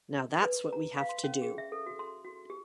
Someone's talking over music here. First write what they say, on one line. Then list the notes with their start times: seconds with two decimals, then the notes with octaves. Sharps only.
Now that's what we have to do.
0.42 B4
0.73 A#5
0.97 F5
1.09 C6
1.24 C#4
1.42 G#4
1.58 E5
1.72 A4
1.86 F#4
1.99 C6
2.24 F#4
2.50 G4